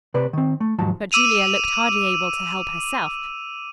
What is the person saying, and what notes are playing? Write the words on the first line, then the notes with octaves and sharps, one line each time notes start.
But Julia looked hardly able to help herself.
C3 B4 D5
D#3 C4
A3
D#2 G#2 F3 F#3 A5
D6 E6 D#7 F7